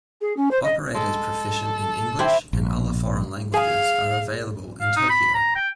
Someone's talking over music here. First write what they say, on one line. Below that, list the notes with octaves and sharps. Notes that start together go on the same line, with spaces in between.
Operators proficient in English and other foreign languages are available in Tokyo.
G#4
C#4
C5
D#5
G#3 A4
E4 G4 C5 G5
A#1
G#4 F5 G#5
F5
D#4
B5
A#5
G5